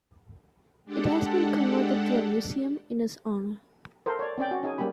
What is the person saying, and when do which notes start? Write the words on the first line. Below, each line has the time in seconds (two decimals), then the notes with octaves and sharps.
It has been converted to a museum in his honor.
0.85 G#3 D4 G4 A4 F#5
4.06 A4 A#4 C5
4.19 C#5 D5
4.38 C4 C#4 D5 G5
4.51 F#4
4.63 C#4 D#4 G#4 G#5
4.78 G3 A#3 C#4 G4 B5